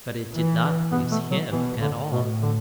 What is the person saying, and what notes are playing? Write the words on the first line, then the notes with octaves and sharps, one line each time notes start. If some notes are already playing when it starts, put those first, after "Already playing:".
But it did not please HIM at all.
E3
B2 B3
A3
F#3
B2 E3
A2 D3
B2
D3